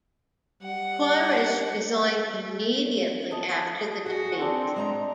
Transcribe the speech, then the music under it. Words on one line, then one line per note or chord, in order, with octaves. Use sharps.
Corish resigned immediately after the defeat.
G3 F#5
D#5 A5
F#4 G#4
C4 D4
G#3 D#5 A#5